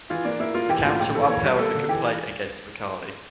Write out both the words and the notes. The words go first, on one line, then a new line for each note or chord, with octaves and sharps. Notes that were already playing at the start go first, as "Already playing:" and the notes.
The Council upheld the complaint against Becali.
E3 F4
A#3 D4
A#3 E4
A#3 F4
E3 G4
A2 F4
A#1 G4
E3 A4
A#3 C#5
G3
A#3 A4
D3
E3 G4